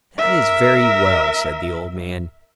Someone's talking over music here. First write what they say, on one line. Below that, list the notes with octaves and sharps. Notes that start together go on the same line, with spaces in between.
"That is very well," said the old man.
A#4 E5